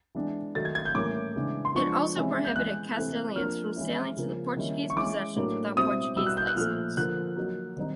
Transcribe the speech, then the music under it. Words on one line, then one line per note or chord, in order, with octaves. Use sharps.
It also prohibited Castilians from sailing to the Portuguese possessions without Portuguese licence.
E3 G#3 B3 D4
D#3 F#3 A3 A6
G#6
G#6
G6
A2 E3 G3 A#3 C#4 D6
C#3 E3 G#3 B3 D4
C6
F3 G#3 B3 D4 C#6
C3 E3 G#3 C#4 E4
G6
E3 G#3 B3 F#6
C3 E3 A3 C4
F3 A#3 D4 F6
E3 G#3 C#4 E4
C#3 F3 A#3
D#3 G3 A#3 C#4 E4
C#6
E3 G#3 C#4 E4 D6
A2 F#3 A#3 D4
B2 G3 C4 E4 D#6
B2 G3 B3 E4 E6
F#6
G6
F#6
A#2 F3 A3 F6
D3 F3 A#3 F#6
F#3 A#3 D#4
D#3 G3 C4 D#4